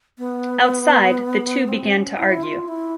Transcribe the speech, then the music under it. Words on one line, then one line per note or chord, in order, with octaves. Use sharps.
Outside, the two began to argue.
B3
C4
C#4
E4
F4
E4